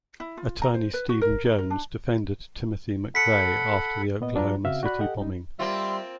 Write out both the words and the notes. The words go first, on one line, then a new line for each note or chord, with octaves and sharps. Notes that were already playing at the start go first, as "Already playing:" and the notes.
Attorney Stephen Jones defended Timothy McVeigh after the Oklahoma City bombing.
E4
F4
A#5
C5
B4
F#4
A#4
D#4
A#4
D4
A4 F#5 B5 B6 C#7
A#2 B3 D#5
G2 F#3 D4 F4 B4 A#5
C#3 C4 F#4 E5 F5
F#4 D5 B5 F#6
G4 A4 D#5 F#5
G3 D#4
G3 A#3 C4 F4 E5 C6